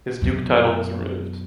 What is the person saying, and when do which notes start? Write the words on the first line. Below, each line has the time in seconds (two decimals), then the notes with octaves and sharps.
His duke title was removed.
0.22 F#2 B2